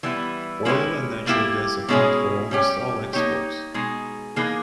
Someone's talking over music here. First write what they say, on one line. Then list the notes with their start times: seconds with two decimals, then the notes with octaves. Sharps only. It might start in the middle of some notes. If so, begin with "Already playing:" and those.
Oil and natural gas account for almost all exports.
0.03 E3 G3 B3 E4
0.65 G#3 C#4 E4 G4 B4
1.26 G3 A#3 E4 G4
1.88 B2 G#3 C#4 E4 G#4
2.51 G3 C#4 G4
3.13 A#3 D#4 G4 C#5
3.74 B2 G#3 D#4 G#4
4.36 E3 A#3 D#4 G#4